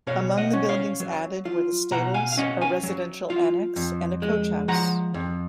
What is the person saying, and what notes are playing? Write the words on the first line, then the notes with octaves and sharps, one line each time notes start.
Among the buildings added were the stables, a residential annex and a coach house.
B2 C#5 F5
D#5 F#5
C#4
C#5 F5
F#3
F4
B2 F#5 A#5
F5 G#5
F5
C#4 D#5 F#5
F5 G#5
F#3
F4
F2
G#3
F3 F#5 A#5
F2